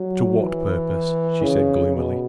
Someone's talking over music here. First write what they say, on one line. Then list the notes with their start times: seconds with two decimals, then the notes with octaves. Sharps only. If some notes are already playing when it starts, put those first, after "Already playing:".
"To what purpose?" she said gloomily.
Already playing: F#3
0.40 E3
1.43 C#3
1.95 B2